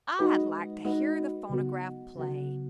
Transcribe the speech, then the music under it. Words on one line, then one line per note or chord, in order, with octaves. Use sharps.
"I'd like to hear the phonograph play."
G#3 D#4 F#4 B4 D#5
G#3 D#4 F#4 B4 D#5
C#3 F#3 B3 F#4
C#3 F#3 B3 F#4